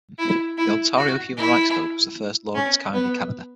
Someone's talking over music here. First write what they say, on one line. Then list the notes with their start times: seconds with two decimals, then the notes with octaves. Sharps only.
The Ontario "Human Rights Code" was the first law of its kind in Canada.
0.18 E4
0.58 E4
0.97 F#4
1.37 E4
2.55 C#4
2.93 B3